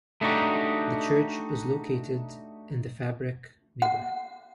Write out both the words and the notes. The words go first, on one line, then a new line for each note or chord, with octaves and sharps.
The church is located in the Fabric neighborhood.
A3 B3 D4 D#4 F#4 G4
F#5